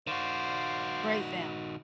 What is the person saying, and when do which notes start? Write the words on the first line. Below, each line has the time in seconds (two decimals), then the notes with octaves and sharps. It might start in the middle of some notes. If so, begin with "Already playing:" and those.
Great film.
0.07 D#3 F#4 C5 D5 F5